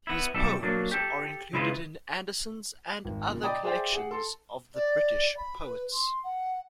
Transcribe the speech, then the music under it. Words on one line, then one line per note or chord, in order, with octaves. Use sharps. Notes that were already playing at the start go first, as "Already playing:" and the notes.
His poems are included in Anderson's and other collections of the British poets.
B3 E4
B1 G3 A4 E5
F#3 A#3 D4
G4 A4
C#3 G#3 E4 F4 B4
G#1
A#2 C#3
D5 D#5 G5 A#5 B5 D#6
G#4 C5 D5 E5 G5 G#5
G4 G#4 F#5
A4 C6
D5
B5
B4
C6
F#5